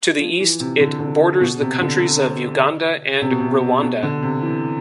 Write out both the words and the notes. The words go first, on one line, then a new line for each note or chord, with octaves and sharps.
To the east it borders the countries of Uganda and Rwanda.
F3
E3
C3
D3
D3
F3
B2
C3
D3
C3
B2
C3
B2
D3
C3
E3